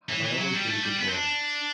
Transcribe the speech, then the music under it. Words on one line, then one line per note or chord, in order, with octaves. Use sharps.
Have I always been a good boy?
E3
E3
F#3
G3
A3
G3
B3
C4
D4